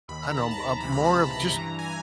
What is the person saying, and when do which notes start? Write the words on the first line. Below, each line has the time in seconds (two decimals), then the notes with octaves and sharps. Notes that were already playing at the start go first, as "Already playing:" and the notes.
I don't know uh, a more of just
0.09 D#2 D#3 B5
0.23 A#5
0.37 A5
0.51 A#5
0.80 C#2 C3 E3 B5
0.92 A#5
1.04 A5
1.16 A#5
1.24 A5
1.32 A#5
1.51 G2 E3
1.79 G#5